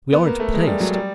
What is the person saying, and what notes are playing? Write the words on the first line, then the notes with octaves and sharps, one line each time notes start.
We aren't placed.
B3
A#3
A3
G#3
G3
F#3
G3